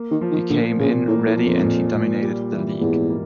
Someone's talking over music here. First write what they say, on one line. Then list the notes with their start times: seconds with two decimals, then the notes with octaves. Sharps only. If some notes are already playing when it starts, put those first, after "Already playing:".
He came in ready and he dominated the league.
Already playing: A#3
0.11 D#3
0.21 F3
0.31 D#3
0.50 A#2 D3
0.79 A#2 C#3
1.07 A2 A#3
1.26 A2
1.36 F3
1.46 F2
1.65 A#2
1.94 A#2
2.23 G3
2.52 E3
2.80 E2 G#2
3.10 A#3